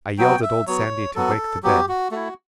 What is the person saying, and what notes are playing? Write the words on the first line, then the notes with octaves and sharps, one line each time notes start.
I yelled at Old Sandy to wake the dead.
F#3 B3 F#4 G5
E5
F#3 B3 F#4 C#5
F#3 B3 F#4 A4
F#3 B3 F#4 G4
F#4
A3 E4 F#4